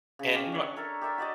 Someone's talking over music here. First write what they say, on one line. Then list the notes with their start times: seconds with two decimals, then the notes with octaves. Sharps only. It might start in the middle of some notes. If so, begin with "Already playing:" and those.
And, you know what?
0.19 C#3
0.35 C#4 G4
0.52 D4 C#5
0.76 A4 A#4 E5 A5
1.01 G4 A#4 E5 A5
1.18 F#4 D5 D#5 A5